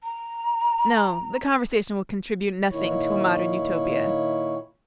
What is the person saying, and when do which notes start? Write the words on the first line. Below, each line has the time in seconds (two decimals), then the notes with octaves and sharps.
No, the conversation would contribute nothing to a modern Utopia.
0.02 A#5
2.70 A#2 D#3 E4 C#5